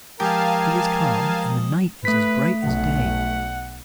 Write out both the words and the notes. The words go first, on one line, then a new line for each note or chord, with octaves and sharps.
The sea is calm and the night is as bright as day.
F3 G#3 G4 A#4 F5 G#5 A5 D#6
A3 B4 B6
B1 F#5